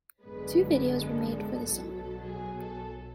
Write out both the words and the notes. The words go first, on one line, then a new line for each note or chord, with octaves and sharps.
Two videos were made for the song.
G#1 F#2 D3 G#3 B3 B4
A4
B1 B2 F#3
A4
G#4
A4